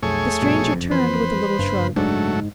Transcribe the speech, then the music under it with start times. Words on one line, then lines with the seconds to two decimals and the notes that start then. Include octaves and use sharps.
The stranger turned with a little shrug.
0.03 B1 F2 A3 G#4 C#5
0.42 A#1 G2 B2
0.72 F#1 F2
0.91 E3 B4 C5
1.59 F#1 G2
1.96 G#2 F#3 A3 D4